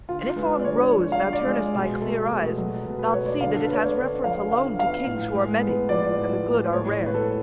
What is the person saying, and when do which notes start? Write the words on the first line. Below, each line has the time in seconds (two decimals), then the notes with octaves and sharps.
And if on 'rose' thou turnest thy clear eyes, Thou'lt see that it has reference alone To kings who're many, and the good are rare.
0.09 D3 F4
0.36 G#3 B4
0.59 D5
0.63 D3 C#5
0.91 F3 C#5
1.12 F5
1.19 D3
1.33 D5
1.46 G#3
1.75 B2
2.02 A3
2.30 B2
2.58 F#3
2.86 B2
2.99 B4
3.13 A3 C#5
3.26 D5
3.41 D3 F5
3.56 A4
3.64 B4
3.68 B3 C#5
3.83 D5
3.96 D3
4.24 F3 F5
4.51 D3 F5
4.79 B3 F5
5.06 A2
5.34 G#3
5.62 B3
5.89 F3 D5
6.17 A2
6.45 G#3
6.73 A2 C#5
7.00 B3
7.06 B4
7.14 A4